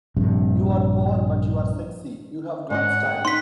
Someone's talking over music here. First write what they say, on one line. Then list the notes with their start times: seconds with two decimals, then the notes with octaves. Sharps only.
You're poor but you're sexy, you've got style.
0.17 A#1 G2 C3
2.70 G#2 C#4 D#5 F#5
3.03 G#4 G5
3.25 D#4 C6 B6